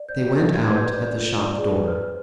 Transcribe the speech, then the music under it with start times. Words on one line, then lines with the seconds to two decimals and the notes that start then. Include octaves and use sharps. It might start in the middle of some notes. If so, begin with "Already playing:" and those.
They went out at the shop door.
Already playing: D5
0.08 C5 G6
0.24 C5
0.38 G4
0.53 G4 G#6
0.68 B4 G#6
0.76 G6
0.83 D5
0.98 D4
1.13 F4
1.28 C5
1.43 D5
1.58 G#4
1.73 B4
1.88 C5 F6
2.02 C5